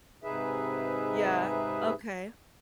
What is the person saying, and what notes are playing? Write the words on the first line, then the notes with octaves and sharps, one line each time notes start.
Yeah, okay.
G#2 C3 D#4 G#4 B4 E5